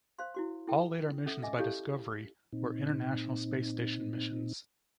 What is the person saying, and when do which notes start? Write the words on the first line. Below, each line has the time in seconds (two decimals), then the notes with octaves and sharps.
All later missions by Discovery were International Space Station missions.
0.19 C5 F5 C6
0.34 E4 F#4 C6
0.67 E4 A4 G5
1.26 C#4 A4 E5 D#6
1.42 D#5 E5 G#5 D6
1.58 E4 G4 A4 C#5 F5
2.53 A#2 C4 D#4